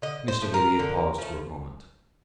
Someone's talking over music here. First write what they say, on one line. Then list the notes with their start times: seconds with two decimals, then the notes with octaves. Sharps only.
Mr. Villiers paused for a moment.
0.02 D3 D#5
0.28 C5
0.41 F3 A3
0.54 A#4
0.79 D3
1.18 F3 A3